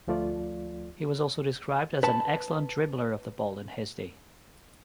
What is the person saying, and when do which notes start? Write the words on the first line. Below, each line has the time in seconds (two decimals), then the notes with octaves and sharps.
He was also described as an "excellent dribbler" of the ball in his day.
0.07 D2 F3 A3 F4 D5
2.03 B4 A5